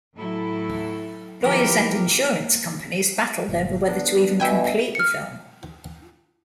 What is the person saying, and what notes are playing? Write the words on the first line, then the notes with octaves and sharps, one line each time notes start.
Lawyers and insurance companies battled over whether to even complete the film.
A2 F#3 E4 A4
D#3 F3 B3 E4 G4 A#4
A#3
G1 A#2
B3 D4
B2 E5 G5 G#5
F6 C#7